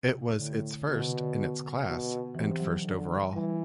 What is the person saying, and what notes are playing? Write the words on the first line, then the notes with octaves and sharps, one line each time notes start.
It was its first in its class and first overall.
C3
A2 D3
B2 D3
C3
D3
B2
C3 E3
F#3
D3
E3 G3